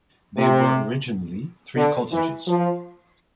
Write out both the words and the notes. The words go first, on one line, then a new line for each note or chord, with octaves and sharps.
They were originally three cottages.
C3
D3
E3
F3